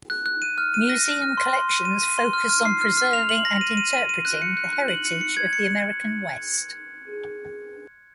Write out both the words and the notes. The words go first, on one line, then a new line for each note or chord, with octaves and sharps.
Museum collections focus on preserving and interpreting the heritage of the American West.
F#6
F#6
D#7
F6
D#7
A#6
F6
F6
C6
C6
D#7
D#7
D#7
C6
F6
F6
C7
F6
F6
F7
F#7
A#6
D#7
D#7
D#7
D#7
F#6
C#7
F#6
F#6
F#7
C#7
C#7
G#6
C#7